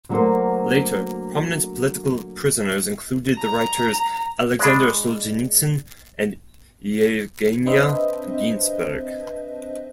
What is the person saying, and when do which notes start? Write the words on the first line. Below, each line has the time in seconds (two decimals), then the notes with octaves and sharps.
Later, prominent political prisoners included the writers Aleksandr Solzhenitsyn and Yevgenia Ginzburg.
0.09 D3 F#3 A3 A#3 F#4 C5
3.36 A#5
4.59 G#3 D4 D5 B5
7.66 C4 D4 B4 C5 D#5 E5